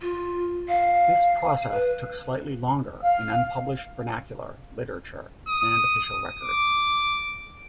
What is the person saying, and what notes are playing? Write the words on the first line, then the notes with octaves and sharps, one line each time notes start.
This process took slightly longer in unpublished vernacular literature and official records.
F4
F5
B4
F5
D#6
D6